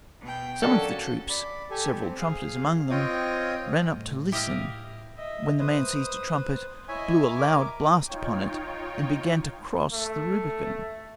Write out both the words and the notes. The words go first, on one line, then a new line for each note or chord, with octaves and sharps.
Some of the troops, several trumpeters among them, ran up to listen, when the man seized a trumpet, blew a loud blast upon it, and began to cross the Rubicon.
B2 G5
F#3 A#3 C#4 D4 A4
D5 B5
G4 A4 G#5
C4
G#4 F5
C4 F4 C#5 D#5 G5 D#6
A2 G3 A3
E4 G4 D#5 F5
D#5 E5
B4 C5 D#6
E4 C#5 D#5 E5 G#5
A#4 D6
D#4 F4 C#5 G5
A3